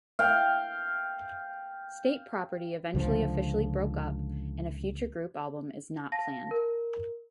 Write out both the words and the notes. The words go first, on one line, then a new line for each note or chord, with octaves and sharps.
State Property eventually officially broke up, and a future group album is not planned.
F5 G5
C#2 D3 F3
F5 A5 A#6
A#4